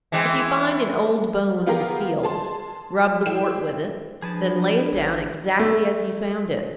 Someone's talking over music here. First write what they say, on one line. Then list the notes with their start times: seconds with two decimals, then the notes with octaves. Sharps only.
If you find an old bone in the field, rub the wart with it, then lay it down exactly as you found it.
0.12 E3 G#3 C4
1.66 B3 F4 G4 G#4 A#4
2.23 G#4 A5 C6
3.26 E4 G#4 G5 E7
4.22 F3 D4 G#4 B4 A5
4.93 A1
5.59 A3